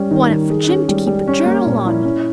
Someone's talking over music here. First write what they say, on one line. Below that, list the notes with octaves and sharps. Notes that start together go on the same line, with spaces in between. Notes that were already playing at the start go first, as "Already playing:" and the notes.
"Want it for Jim to keep a journal on."
Already playing: G3 C#4
D#3
D#3
G#4
C#4
G3
G3
C#4
A#3
A#2
E4
C#4